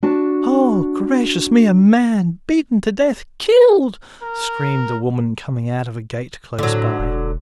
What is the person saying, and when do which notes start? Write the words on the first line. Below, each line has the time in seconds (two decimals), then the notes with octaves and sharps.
"Oh, gracious me, a man beaten to death--killed!..." screamed a woman coming out of a gate close by.
0.03 D4 F#4 A5
4.23 A#4
6.59 A2 D3 F#3
6.99 E1